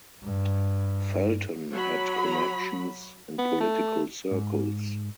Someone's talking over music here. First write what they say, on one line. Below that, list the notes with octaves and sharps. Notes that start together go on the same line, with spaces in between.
Felton had connections in political circles.
G2
F#3 B5
B3
A3
G#2